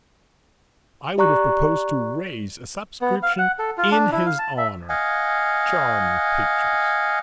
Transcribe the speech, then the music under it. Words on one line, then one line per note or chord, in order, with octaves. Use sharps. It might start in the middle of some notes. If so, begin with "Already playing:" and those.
I would have proposed to raise a subscription in his honor! Charming pictures.
G4 D5 A#5 C#6 F#6
B3
F5
F#5
A4
F4
D4
E4
F5
A5
E5
D#5 F5 F#5 G#5